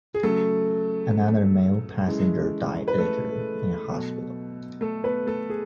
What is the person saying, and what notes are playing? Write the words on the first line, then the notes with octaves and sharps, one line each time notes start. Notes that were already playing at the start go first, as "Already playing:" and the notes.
Another male passenger died later in hospital.
G#4
C#3 F#3 A3 A4
C#3 E3 G#3
B4
A3 A4
B2 F#3
A3 A4
B3 B4
A3 A4
G#4